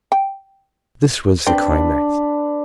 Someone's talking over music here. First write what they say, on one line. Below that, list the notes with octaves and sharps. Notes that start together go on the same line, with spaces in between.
This was the climax.
G5
C4 D4 B4